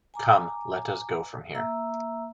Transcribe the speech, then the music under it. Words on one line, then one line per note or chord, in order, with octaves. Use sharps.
Come, let us go from here!
G#5 A#5 D6
A#3 E5 A#5 E6